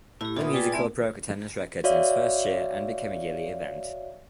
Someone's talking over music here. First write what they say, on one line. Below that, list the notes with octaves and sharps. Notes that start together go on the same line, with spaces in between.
The musical broke attendance records in its first year and became a yearly event.
A2 E4 G4
A#2 B3 E4 F4 D#6
F4 G#4 B4 D5 G5
A3 C4 E4 D5 G#5
F#4 C#5 D5 E5 F5